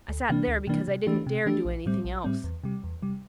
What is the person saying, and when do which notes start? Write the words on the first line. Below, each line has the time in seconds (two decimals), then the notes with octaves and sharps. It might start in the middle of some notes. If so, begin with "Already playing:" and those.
I sat there because I didn't dare do anything else.
0.08 D2
0.29 C3 E3 A#3 D4
0.48 D2
0.67 C3 E3 A#3 D4
0.88 C3
1.06 E3 A3 D4 G4
1.27 C3
1.46 E3 A3 D4 G4
1.65 A#1
1.86 A2 G3 C4
2.05 A#1
2.24 A2 G3 C4
2.44 E2
2.64 C3 G3
2.84 E2
3.02 C3 G3